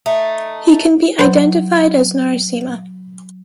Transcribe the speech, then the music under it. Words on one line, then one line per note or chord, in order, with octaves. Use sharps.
He can be identified as Narasimha.
A3 D#4
F#3 B4 C5